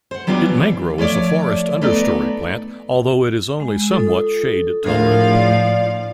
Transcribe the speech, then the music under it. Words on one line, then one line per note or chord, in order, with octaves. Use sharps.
It may grow as a forest understory plant, although it is only somewhat shade-tolerant.
C5 F#5
F#3 G3 B3 D4 F4
E3
F3 A3 C#5 D5
A3 B3 D#4 D5
G#3
F4 A4 D#6
A2 F3 D4 G#4 A#4 F5
D5